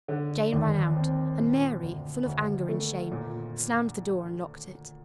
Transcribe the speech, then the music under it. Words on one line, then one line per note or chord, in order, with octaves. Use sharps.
Jane ran out, and Mary, full of anger and shame, slammed the door and locked it.
D3
D#2
C4
A#2
D2
D2
A3
A#2